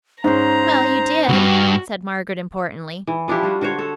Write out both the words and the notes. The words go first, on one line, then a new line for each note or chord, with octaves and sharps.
"Well, you did," said Margaret importantly.
G#2 C#4 C5 A#5
C#2 G2 F#4
E3
F3 D4 E4 G4
G3 F4 F#4
D3 F#4 C5 C#5
F#4 A4